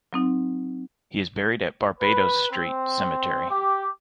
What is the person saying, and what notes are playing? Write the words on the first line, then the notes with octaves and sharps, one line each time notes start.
He is buried at Barbadoes Street Cemetery.
F#3 C4 D#4
B4
C4
G4